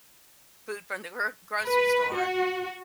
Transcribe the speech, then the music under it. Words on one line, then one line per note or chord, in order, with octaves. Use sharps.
food from the gr grocery store
B4
F#4